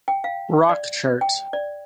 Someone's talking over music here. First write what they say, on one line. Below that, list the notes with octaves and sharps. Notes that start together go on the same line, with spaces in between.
Rock Chart.
G5
F5
D5
G5
D5